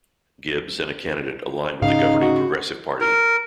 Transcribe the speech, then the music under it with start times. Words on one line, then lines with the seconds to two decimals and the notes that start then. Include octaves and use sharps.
Gibbs and a candidate aligned with the governing Progressive Party.
1.82 G#2 C#3 D#4 F5
2.22 F#4
3.01 A#4